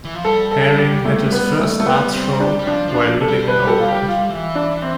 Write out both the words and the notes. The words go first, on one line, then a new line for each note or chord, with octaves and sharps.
Haring had his first art show while living in Oakland.
E3
F3
G3 A4
A4
A4
G4
A3
B3
A3
A3
G3 B3
C4
C4
D4
G3
F3 D4
F3
D4
A4
G3
B4
G4
A4
F4
G4
F4
E3
D4
C4